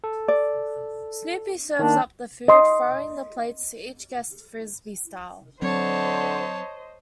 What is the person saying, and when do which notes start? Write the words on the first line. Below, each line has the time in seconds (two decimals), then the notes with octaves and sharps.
Snoopy serves up the food, throwing the plates to each guest Frisbee-style.
0.04 A4
0.28 D5
1.79 D#3 A#3 D4
2.48 D#5 C6
5.62 D3 F#3 C4 C5 C#5 D#5 A5